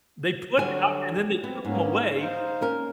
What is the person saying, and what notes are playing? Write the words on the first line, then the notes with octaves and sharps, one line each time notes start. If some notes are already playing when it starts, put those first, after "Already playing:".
they put it out, and then they took 'em away
D3 F#3 G3 F#4 G#5
B3 C4
G#2 A#3 B3 C#4
D#4 C5 F5
A#3 C#4 A#4